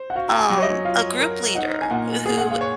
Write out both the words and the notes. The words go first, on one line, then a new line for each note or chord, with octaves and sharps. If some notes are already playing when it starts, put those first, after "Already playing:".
um, a group leader, who
Already playing: C5
F#5
F#4 F5
A#5
G#5
F#3
C#5
D#5
F4 F5
A#4
D#4 F#5
G#5
A#2 F#5
G#4 G#5
F#5
F5
C#5